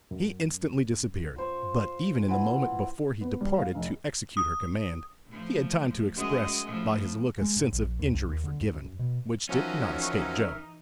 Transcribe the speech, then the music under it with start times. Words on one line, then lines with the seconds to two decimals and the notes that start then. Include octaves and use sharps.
He instantly disappeared; but even in the moment before he departed to execute her command he had time to express by his look a sense of injury forgiven, which did not escape Joe.
0.11 F#2
1.36 F4 C5 C#6
2.28 E3 F4 F#5
3.21 B3
3.41 G3
3.59 F5
3.75 F1
4.37 D#6
5.27 A2 F3
6.15 F#2 G#3 D#5
6.65 A2 F3
7.41 G#3
7.56 G#2
7.72 A#1
7.99 D#2
8.14 C2
8.29 D#2
8.44 D3
8.61 F#2
8.99 B2
9.49 E3 F3 C#4 D#4 F#4 A#4 E5